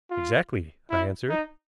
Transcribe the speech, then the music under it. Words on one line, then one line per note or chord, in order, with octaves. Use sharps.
"Exactly," I answered.
F4
E4
D#4